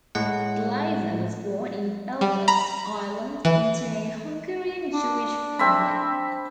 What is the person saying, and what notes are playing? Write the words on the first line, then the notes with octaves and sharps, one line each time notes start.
Glazer was born in Belfast, Ireland, into a Hungarian Jewish family.
A2 G#3 F#5
G3
A#5 B5
E3
D4
C4 E5 B5